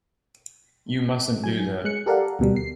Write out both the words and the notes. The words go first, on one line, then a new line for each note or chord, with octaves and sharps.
You mustn’t do that.
F#3 G#5
G#3 F#6 C#7
G4 A4 A#4 D5 F5 F#5
D2 B2 G3
C7